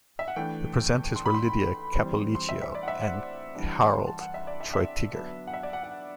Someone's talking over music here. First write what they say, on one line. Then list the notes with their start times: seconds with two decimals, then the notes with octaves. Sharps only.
The presenters were Lydia Cappolicchio and Harald Treutiger.
0.19 E5
0.28 F#5
0.36 E3 A3 D4 G5
1.16 C6
1.26 B5
1.35 C6
1.95 E3 G3 C4
2.35 C6
2.49 E5
2.62 E5
2.75 D5
2.83 F#5
2.88 E5
3.02 F#5
3.55 E3 G3 D4
3.94 C6
4.07 A5
4.21 F#5
4.34 E5
4.47 D5
4.60 E5
4.74 E5
5.14 D3 F#3 B3 D4
5.47 F#5
5.54 E5
5.63 D5
5.73 F#5
5.84 F#5